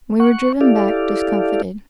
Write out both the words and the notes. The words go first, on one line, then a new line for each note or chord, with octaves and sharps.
We were driven back discomforted.
F#5 C#6
E4 G4 A4 D5 F5